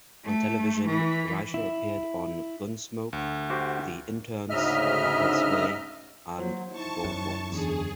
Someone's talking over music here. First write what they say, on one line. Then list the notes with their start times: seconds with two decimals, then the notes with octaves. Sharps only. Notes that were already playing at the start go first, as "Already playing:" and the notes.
On television, Reischl appeared on "Gunsmoke", "The Interns", "Apple's Way" and "The Bold Ones".
0.23 A3
0.86 E3
1.54 E4
3.13 D2
3.50 F#4 G4 C5
4.50 D2 G#2 C#3 D#5 E5 F6
6.39 F#3 A#3 C5
6.72 D#4 E4 A5 C#6
7.05 F#2
7.52 E2 D3 G#4